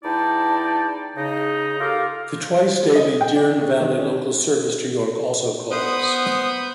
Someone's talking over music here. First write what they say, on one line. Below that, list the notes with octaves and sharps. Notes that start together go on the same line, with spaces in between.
The twice-daily Dearne Valley local service to York also calls.
E2 D#4 E4 D5 G5 A5
C#3 D#4
F4 G4 A4 A#4 F5
G3
D#5
G5
D5
C#3
D#3
C#4
B3 C5 D#6